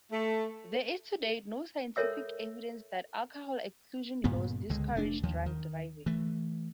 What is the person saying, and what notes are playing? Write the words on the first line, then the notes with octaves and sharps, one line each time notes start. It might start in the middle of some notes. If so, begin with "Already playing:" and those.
There is to date no scientific evidence that alcohol exclusion laws discourage drunk driving.
A3
A4 A#4 C#5 E5 E6
G2 A#2 C#3 B3
C#2 D3 G#3
F1 A3 D4
D#2 F3
D#3
E3 A3